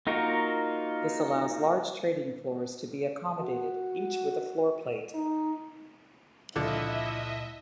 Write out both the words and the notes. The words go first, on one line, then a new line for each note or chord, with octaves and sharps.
This allows large trading floors to be accommodated, each with a floorplate.
A#3 D#4 F4 F#4 A#4
F#4
D#4
C#2 A#2 D3 F3 E4 D#5 E5 A5